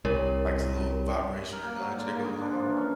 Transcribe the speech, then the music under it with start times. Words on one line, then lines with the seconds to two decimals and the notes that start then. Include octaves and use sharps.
like, it's a little vibration or nudge that goes on.
0.05 C2 A#4 C#5
1.53 A#4
1.64 A#3
1.80 F#3
1.99 D3
2.13 A#3
2.24 G#4
2.41 D4
2.52 F3
2.65 E3
2.77 C#4